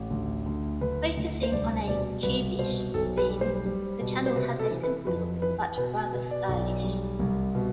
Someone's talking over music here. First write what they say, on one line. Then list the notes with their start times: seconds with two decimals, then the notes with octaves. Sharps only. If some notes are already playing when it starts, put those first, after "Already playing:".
Focusing on a "cube-ish" theme, the channel has a simple look, but rather stylish.
Already playing: A1
0.10 D2
0.46 D2
0.81 D2 B4
1.17 D2
1.43 C5
1.52 C2 D5
1.88 B2 D5
2.23 C2 B4
2.59 B2 C5
2.94 B1 A4
3.18 B4
3.29 G3
3.41 C5
3.65 G3
4.01 B2
4.26 C5
4.36 C3 B4
4.59 A4
4.71 E3
4.83 B4
5.07 F2 B4
5.42 E3 B4
5.78 B2 B4
6.13 B2 B4
6.31 D5
6.49 B1
6.84 G3
7.19 C2
7.55 B2